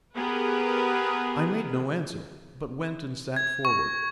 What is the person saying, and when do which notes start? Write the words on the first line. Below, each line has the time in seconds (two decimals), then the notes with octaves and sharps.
I made no answer, but went and sat forward.
0.15 B3 G4 G#4 A#4 B4
3.36 G#6
3.65 C#6